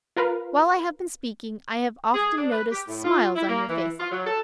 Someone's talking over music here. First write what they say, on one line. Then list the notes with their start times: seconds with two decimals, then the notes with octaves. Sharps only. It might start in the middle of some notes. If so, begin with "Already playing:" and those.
While I have been speaking I have often noticed smiles on your faces.
0.16 F4 A#4 B4 F5
2.14 G#4
2.37 D4
2.52 B4
2.72 G4
2.87 A2
3.03 F4
3.36 E4
3.49 A#3
3.69 E3
4.00 F4
4.12 F#3
4.26 A4